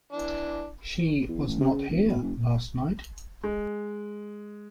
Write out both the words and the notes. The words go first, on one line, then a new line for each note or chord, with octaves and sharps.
She was not here last night.
E3 D4
E2
A1
C3
C#3
E1
B2
F#1
G#3